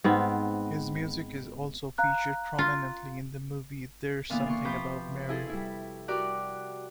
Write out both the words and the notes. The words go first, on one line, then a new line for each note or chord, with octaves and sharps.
His music is also featured prominently in the movie "There's Something About Mary".
G#2 B3 C4
F5 A#5 F#6
F4
A#2 D3 E3 B3 F5
A#3 C6 C#6
C3 F3 B4 C5 G6
E4 F4 G#4 A4
G3 E4
F#4 G4 A#4 D5 F#5